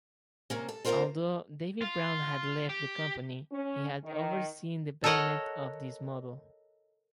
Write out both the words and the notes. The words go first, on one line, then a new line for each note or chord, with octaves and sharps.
Although David Brown had left the company, he had overseen development of this model.
C3 A#3 C#4
A4
A3 C4 F4 A#4 C5 A#5
F4
G4
C#4
D#3
A4 A#4 C#5 D#5 F#5